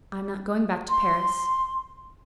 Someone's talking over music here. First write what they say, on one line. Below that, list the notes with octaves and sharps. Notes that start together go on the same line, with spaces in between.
"I am not going back to Paris."
C6